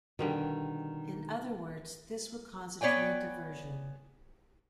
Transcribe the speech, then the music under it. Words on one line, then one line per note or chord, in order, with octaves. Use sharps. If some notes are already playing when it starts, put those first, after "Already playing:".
In other words, this would cause a trade diversion.
B2 D3 D#3 G3
B3 C#5 D5 G5 G#5